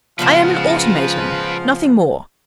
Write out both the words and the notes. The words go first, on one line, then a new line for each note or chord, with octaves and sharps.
'I am an automaton--nothing more.
C#3 F3 G#3 B3 B4 A5